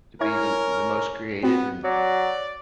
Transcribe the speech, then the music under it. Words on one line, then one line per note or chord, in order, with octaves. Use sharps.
to be the the most creative, and,
C#4 E4 A#4 C#5 G#6
B3 C4 F#4
F#3 D5